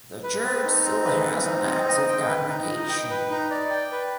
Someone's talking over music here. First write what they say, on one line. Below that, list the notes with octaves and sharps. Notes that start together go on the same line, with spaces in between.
The church still has an active congregation.
B4
C4
D#4
C4
B4
C4
D#4
C4
D#5
G5
B4
D#4
D#5
G5
B4
D#4
D5
G5
B4